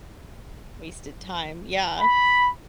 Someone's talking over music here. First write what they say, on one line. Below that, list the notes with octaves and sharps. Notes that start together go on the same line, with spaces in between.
wasted time yeah
B5